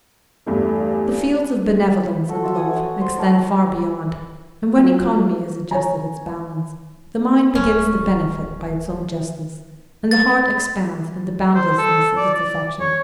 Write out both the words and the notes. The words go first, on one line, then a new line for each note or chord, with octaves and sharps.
The fields of benevolence and love extend far beyond; and when economy has adjusted its balance, the mind begins to benefit by its own justice, and the heart expands in the boundlessness of its affection.
E2 G2 A3
F#4 A4
F4 F#4 E5
F#5 G#5 D#6
C#5
C5
D4 A#4 C#5 A5
F#3 F4
C#5 G#5 A#5
D1 C#4
A6
C5
A4
D5
D5
C#5